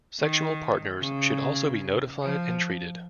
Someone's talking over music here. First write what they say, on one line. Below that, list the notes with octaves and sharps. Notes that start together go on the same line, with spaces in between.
Sexual partners should also be notified and treated.
D#3
C#3
F3